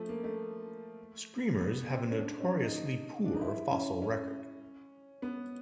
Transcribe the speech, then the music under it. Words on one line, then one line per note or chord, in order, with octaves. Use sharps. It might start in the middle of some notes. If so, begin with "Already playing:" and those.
Screamers have a notoriously poor fossil record.
Already playing: F3 A3
A#3
A3
B3
C4
C#4
D4
C#4
D#4
D4
D#4
E4
C#4
C#4
B3